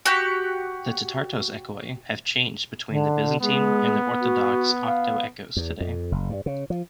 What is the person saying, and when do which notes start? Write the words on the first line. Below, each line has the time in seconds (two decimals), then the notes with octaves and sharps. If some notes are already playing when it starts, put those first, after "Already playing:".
The tetartos echoi have changed between the Byzantine and the Orthodox octoechos today.
0.06 F#4 G4 F#5
2.90 D3
3.42 G#3 B3
4.21 F#4
4.86 F5
5.56 E2
5.81 F2
6.12 F#1
6.30 G2
6.46 C#3
6.70 F3